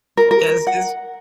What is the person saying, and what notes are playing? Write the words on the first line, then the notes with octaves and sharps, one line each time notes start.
Yes, just
A#4
A#4
F#5